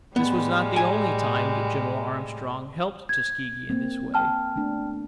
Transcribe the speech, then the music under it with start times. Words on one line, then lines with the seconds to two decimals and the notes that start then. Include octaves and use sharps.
This was not the only time that General Armstrong helped Tuskegee in this way.
0.16 A2 G3 G#3 B3
0.76 G#5
3.09 G#6
3.70 A#3 C4
4.14 G5 A5 F6
4.56 A3 B3 D4